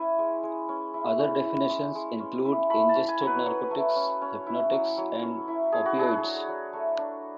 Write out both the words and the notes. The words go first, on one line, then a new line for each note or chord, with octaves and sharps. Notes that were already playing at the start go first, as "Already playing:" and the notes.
Other definitions include ingested narcotics, hypnotics, and opioids.
Already playing: C#4 E4 G#5
G#3
G#3
C#4
E4
C#4
E4
G#3
G#3
C#4
E4
A3 B5
A5
C#4
G#5
F#3
B4
F#3 F#4
A3
C#4
C#4
E4
F#3
F#3
C#4
E4
A3 G#4
F#4
D4 G#4
F#3
F#3
A3
D4